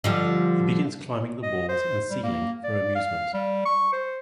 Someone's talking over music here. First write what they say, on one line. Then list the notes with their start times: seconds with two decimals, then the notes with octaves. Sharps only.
He begins climbing the walls and ceiling for amusement.
0.04 D3 F3 G3
1.43 D#5
1.69 C5
2.10 G3
2.23 A#3
2.64 D5
2.95 F5
3.34 G3
3.65 C#6
3.93 C5